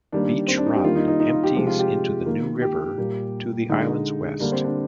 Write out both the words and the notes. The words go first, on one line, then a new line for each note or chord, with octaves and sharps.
Beech Run empties into the New River to the island's west.
D#3 G3 A#3 D4
C4
D4
D#4
G4
D#3 G3 A#3 F4
D#4
D#4
D#4
F4
G4
C3 F3 G#3 G4
F4
G4
D#3 A#3
G4
A#2 G3 A#3
D3 G#3 D#4
D3 G3 A#3 D4
C4
D4